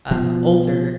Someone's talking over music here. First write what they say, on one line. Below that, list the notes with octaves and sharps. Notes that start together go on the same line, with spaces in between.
uh, older,
B2 F3